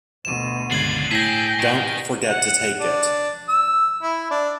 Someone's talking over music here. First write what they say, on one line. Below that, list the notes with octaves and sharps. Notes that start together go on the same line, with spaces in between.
Don't forget to take it!
D2 B2 D#7 E7
G1 C#2 D4 F4 G#6 C7 F#7
A2 G#4 A4 G5 G#5 A#6 B6
D#3
F#5
D4
E6
E4
D4